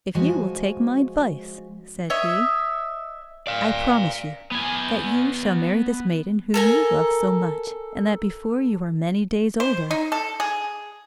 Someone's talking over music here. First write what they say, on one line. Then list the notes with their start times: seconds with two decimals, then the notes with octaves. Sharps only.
'If you will take my advice,' said he, 'I promise you that you shall marry this maiden whom you love so much, and that before you are many days older.'
0.15 F3 G#3 F#4 G#5
2.10 C#5 D#5 E5
3.47 D5 F5
4.51 B3 G#5
6.54 A4 A#4 G#5
9.60 C5
9.91 D#4
10.12 A4
10.40 G#4